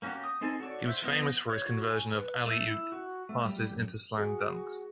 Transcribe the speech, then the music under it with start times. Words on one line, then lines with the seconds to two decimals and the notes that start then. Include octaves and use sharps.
He was famous for his conversion of "alley oop" passes into slam dunks.
0.02 A#3 C#4 F#4 G4
0.24 D#6
0.41 C4 D#4 A4 G#5 A5
0.60 F#4 A4 C#5 D5
0.87 C5 E5
1.02 F3 B3 D#5 G6
1.49 C#5
1.66 F#4
1.90 G#5
2.13 B4
2.46 A3
2.68 E4
2.92 F#4
3.29 A3
3.45 G3
3.59 G3
3.71 F#2
4.18 F#4 G#4